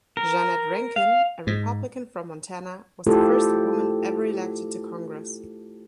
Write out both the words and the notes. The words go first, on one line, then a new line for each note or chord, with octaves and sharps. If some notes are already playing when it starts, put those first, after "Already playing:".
Jeannette Rankin, a Republican from Montana was the first woman ever elected to congress.
A#4
F5
G#2
A3 E4 F4 G4 A4 C5